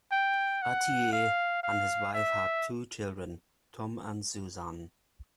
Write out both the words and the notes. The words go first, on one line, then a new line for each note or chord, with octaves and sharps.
Atiyeh and his wife had two children, Tom and Suzanne.
G5
F#5
F5
F5
E5